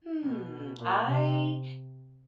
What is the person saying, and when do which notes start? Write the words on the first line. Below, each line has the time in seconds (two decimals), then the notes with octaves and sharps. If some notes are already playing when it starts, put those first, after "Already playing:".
Hmm, I
0.22 B2
0.79 A#2
1.07 C3